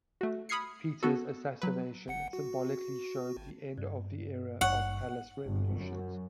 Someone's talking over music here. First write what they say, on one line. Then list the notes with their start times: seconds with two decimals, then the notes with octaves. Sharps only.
Peter's assassination symbolically showed the end of the era of palace revolutions.
0.21 A3 F#4
0.49 B5 D#6 F6 G#6 C7 C#7
1.03 B3 F#4 A4
1.62 F#3 B4
2.08 G1 F#5 C#7
2.33 F#4
3.37 G#1
3.78 G2
4.61 G#1 G2 F#5 C#6
5.45 G1
5.74 F#2